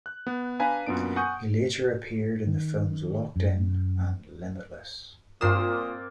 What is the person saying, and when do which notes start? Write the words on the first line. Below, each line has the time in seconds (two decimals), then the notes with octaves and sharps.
He later appeared in the films "Locked In" and "Limitless".
0.06 F#6
0.27 B3
0.60 D4 B4 F5 G#5 A#5 B5
0.86 F#2 A#2 B3 D4 D7
1.16 F#5 G#5 C#6 D#6 G6 D#7
2.47 D#3
3.36 F#2
5.41 G2 A#2 A#3 C4 F4 D#6 C7 E7